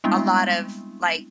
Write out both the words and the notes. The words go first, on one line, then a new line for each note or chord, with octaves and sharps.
a lot of, like
G3 G#3 B3 C4 D4 E4